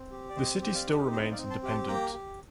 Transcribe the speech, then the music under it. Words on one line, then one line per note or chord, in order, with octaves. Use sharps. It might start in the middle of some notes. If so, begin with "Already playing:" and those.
The city still remains independent.
Already playing: C4
G4
D5
C4 C5 D#5
G4 G5
D5 F5
D#4
C4 C5 D#5
D5 F5
C4
A5 C6
G4
A5 C6
A#3 G5 A#5
G4